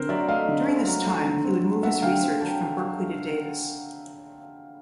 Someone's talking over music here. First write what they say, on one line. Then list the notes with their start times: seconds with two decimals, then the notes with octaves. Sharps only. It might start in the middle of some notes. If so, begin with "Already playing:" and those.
During this time, he would move his research from Berkeley to Davis.
Already playing: D3 C4 A#4 C5
0.09 F#3 D5 E5
0.28 A3 D#5 F5
0.49 D3
0.68 C4
0.87 F#3
1.06 A3
1.25 D3
1.44 C4
1.64 F#3
1.83 A3 E5 F#5
2.02 D3 F5 G5
2.22 C4
2.41 F#3 G5 A5